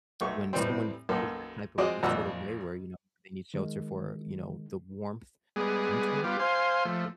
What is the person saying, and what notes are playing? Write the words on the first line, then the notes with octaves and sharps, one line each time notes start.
when someone goes that type of that sort of way where, you know, they need shelter for, you know, the warmth of winter,
B1 A3 C#6
A2 C3 E3 G3 C4
B1 F#2 A#3 A4
F3 G#3 C4 F#4 D5 D#5
G#1 F2 A#2 G3 F#5 E6
D#3 G#3
G3 G#3 B3 G#4
G3 B3 F4 G4
C5 F5 G#5 C6
F3 A3